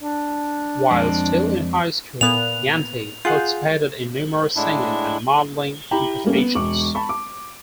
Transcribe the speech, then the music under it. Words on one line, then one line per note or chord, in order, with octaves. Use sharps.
While still in high school, Yanti participated in numerous singing and modelling competitions.
D4
F2 G#3 C4
A#2 B3 F#6 F7
F4 G#4 F#5 G6
A2 G#3 D4 E4
E4 G4 G5 A#5 B5
G3 A3 A#3 C#4
B3
E1 C#6 D6
A5 B5 C#6
D6